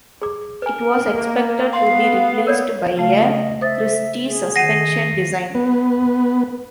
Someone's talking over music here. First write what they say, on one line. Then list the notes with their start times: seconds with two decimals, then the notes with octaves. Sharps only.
It was expected to be replaced by a Christie suspension design.
0.22 G#4 D6
0.62 A#4 B4 G#5
0.96 A#3
1.73 B3 F5 C6
2.47 A#4 C#5 D5
2.97 C#3 A3 F5
3.17 D#5
3.61 C5 E5 D#6 A6
4.26 G#4
4.56 D#3 F#5 A#6 C7 D#7
5.55 B3